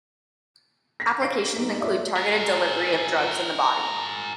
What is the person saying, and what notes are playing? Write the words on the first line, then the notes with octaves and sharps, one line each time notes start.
Applications include targeted delivery of drugs in the body.
A#6 B6
F5 C7 D7
G3 A#3 D#4
F4 C#5 D5 E5
G#4 A#4